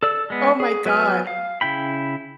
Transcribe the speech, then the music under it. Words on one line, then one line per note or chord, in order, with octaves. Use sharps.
Oh my god.
A4 D5 E6
G#3 B3
G#4
F#3 B3 B4 G#5 F6
F5
C#3 E4 G5 B5